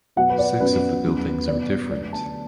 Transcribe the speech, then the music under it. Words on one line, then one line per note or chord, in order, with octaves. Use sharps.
Six of the buildings are different.
B2 F#3 B3 F#5
B4
D5
F#2 F#3 B3 B4
F#2 F#3 B3
B2 B3 D5
D5
D2 D3 F#3 B3 D5
A5